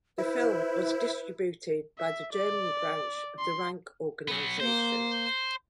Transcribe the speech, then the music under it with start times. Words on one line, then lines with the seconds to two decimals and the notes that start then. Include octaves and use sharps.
The film was distributed by the German branch of the Rank Organisation.
0.18 E4 B4 C5
1.98 E5
2.33 D5
3.39 C6
4.28 F#3 B3
4.60 A#3 C5